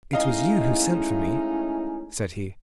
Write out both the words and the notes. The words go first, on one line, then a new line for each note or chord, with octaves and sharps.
"It was you who sent for me," said he.
G#3 A3 C#4 D#4 E4 D#5 F5